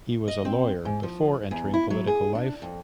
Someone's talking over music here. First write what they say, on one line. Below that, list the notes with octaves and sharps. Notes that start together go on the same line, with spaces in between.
He was a lawyer before entering political life.
D#5
C4
G#2
F3
E2
E4
F#3
G#4
D4
F2